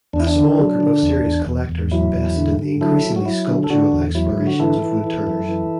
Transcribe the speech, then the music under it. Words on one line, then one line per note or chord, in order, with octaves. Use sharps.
A small group of serious collectors invested in the increasingly sculptural explorations of woodturners.
E2 D4
E4
D4
D3
F#3
D3
E2
E2
E2
E2
F#3 E4
E2
D3
D3
F#3 E4 A4
F#3
F#4
F#3 E4
D3
A4
D3 D4 F#4
E2
F#3 E4
D3
F#4
E3 E4 A4
E3
E3
F#2
E3